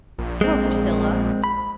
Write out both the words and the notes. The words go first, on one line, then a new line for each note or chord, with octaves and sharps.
Poor Priscilla!
A#1
G#3 C4
B5